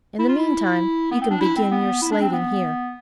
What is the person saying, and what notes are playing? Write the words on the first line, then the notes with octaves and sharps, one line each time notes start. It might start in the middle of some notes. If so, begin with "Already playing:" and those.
In the meantime, you can begin your slating here.
E4
F4
E4
B3
C4
D4
E4
C4
B3
E4
D4
C4
B3